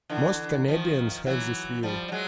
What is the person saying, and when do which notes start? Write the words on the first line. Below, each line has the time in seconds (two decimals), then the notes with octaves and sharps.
Most Canadians have this view.
0.10 D3 E3
0.68 D#3 F3
1.26 E3 F#3
1.83 F3 G3
2.08 G3
2.12 F#3 G#3